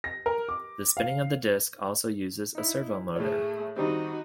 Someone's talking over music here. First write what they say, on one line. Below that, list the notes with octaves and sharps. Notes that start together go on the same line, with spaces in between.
The spinning of the disk also uses a servo motor.
A#6
A#4
D6
F5
D#4 E4
A2 A3 G#4 C#5
D#3 G3 C4 D#4 F#4